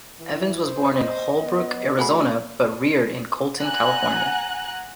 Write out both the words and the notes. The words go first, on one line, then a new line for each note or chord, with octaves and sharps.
Evans was born in Holbrook, Arizona, but reared in Colton, California.
E3 E4
C5
D#5
B3
A3 F#4 G#4 B5
F#5 G#5 A#5 F#6